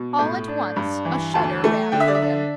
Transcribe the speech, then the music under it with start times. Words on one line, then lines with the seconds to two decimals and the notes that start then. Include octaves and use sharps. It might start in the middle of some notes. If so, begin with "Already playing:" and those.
All at once a shudder ran through him.
Already playing: B2
0.19 A2
0.48 D4
0.76 G2
1.05 E3
1.34 D2 A5
1.64 A3
1.92 D3 G5
2.00 E5
2.07 D5
2.15 E5
2.22 D4